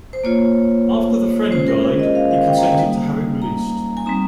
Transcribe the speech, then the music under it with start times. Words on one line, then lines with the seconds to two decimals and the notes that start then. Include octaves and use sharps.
After the friend died he consented to have it released.
0.13 C5
0.24 A#3 F4 C#5
1.51 G#3 C#4 F4 C5
1.68 A#4
1.83 G#4
1.99 D#5
2.15 F5
2.31 F5
2.47 G5
2.57 A#5
2.63 G#5
2.79 G3 A#3 D#4
3.42 A#5
3.97 G#5
4.06 G3 C4 D#4 A#5